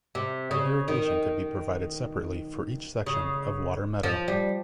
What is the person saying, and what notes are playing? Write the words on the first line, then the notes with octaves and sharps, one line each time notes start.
Irrigation could be provided separately for each section of water-meadow.
C3
C#3
D#3
C#3
F3
G3